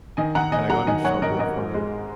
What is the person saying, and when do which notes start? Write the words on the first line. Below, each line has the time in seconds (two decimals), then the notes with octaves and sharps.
And I got in trouble for
0.17 D#3 D#5 G#5
0.35 D#3 F#5 A#5
0.52 D#3 D#5 G#5
0.69 F#3 F#5 A#5
0.87 D#3 D#5 G#5
1.05 F#2 C#5 F#5
1.22 G#1 A#4 D#5
1.39 G#1 A#4 D#5
1.57 G#2
1.74 G#3